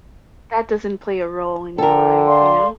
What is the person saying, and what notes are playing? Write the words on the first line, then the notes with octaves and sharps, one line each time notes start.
that doesn't play a role in your life, you know?
D3 A4 A#4 G5
D5 F5 C6